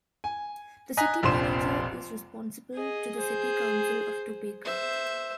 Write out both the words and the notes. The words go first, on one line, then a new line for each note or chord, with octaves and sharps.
The City Manager is responsible to the City Council of Topeka.
G#5
D#5 G#5 A#5 F#6 B6
F1 A#1 A#2 C4 C6 E7
G#4 D#5
G#4 C5
C5 E5